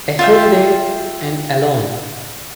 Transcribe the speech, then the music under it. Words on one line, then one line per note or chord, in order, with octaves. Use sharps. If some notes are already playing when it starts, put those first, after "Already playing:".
A holiday, and alone!
F4 E5 G5